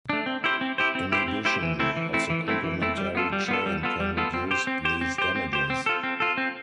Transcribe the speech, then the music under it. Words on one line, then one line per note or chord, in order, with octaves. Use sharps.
Inhibition of the complementary chain can reduce these damages.
A3 D4
C4
E4 G4 C5
C4
E4 G4 C5
C4
E4 G4 C5
C4
E4 G4 C5
E3
A3 C4 E4
E3
A3 C4 E4
E3
A3 C4 E4
E3
A3 C4 E4
G3
B3 F4 A4
G3
B3 F4 A4
G3
B3 F4 A4
G3
B3 F4 A4
C4
G4 C5
C4
G4 C5
C4
G4 C5
C4
G4 C5
C4
F4 A4
C4
F4 A4
C4